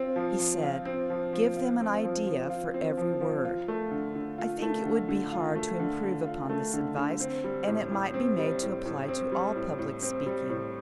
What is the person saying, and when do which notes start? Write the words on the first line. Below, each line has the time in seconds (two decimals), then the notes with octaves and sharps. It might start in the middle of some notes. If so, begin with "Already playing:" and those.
He said: "Give them an idea for every word." I think it would be hard to improve upon this advice; and it might be made to apply to all public speaking.
Already playing: C4 F4
0.16 F3
0.39 F3
0.63 F4
0.85 C4
1.10 F3
1.33 F3
1.57 F4
1.80 C4
2.04 F3
2.27 F3
2.50 F4
2.74 C4
2.97 F3
3.21 F3
3.45 F4
3.68 A3
3.91 D3
4.15 D3
4.38 F4
4.62 A3
4.85 D3
5.09 D3
5.32 F4
5.56 A3
5.80 D3
6.04 D3
6.26 F4
6.50 A3
6.74 D3
6.97 D3
7.20 C4
7.44 G3
7.67 A2
7.91 A2
8.14 C4
8.38 G3
8.62 A2
8.85 A2
9.08 C4
9.32 G3
9.56 A2
9.78 A2
10.03 C4
10.26 G3
10.49 A2